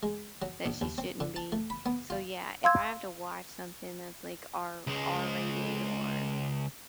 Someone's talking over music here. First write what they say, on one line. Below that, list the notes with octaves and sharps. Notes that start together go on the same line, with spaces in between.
that she shouldn't be. So, yeah, if I have to watch something that's, like, R R-rated or,
G#3
F#3
A#1
D#2
C4
D3
A5
A3
B5
B3
F4
F5 C6 E6 G#6
C#2 G#3